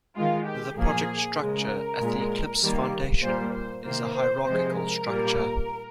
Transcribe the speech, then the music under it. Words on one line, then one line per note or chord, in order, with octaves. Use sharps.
The project structure at the Eclipse Foundation is a hierarchical structure.
D#3 G#3 F4
G4
A#2 F3 A#3 G#4
C#3 G#3 A#4
A#2 G#3
D#3 G3 A#3
A#2 G3 A#3 C5
C5
C3 D#3 A#3 C5
C5
C3 F3 G#3 C5
A#4
A#2 G3 A#3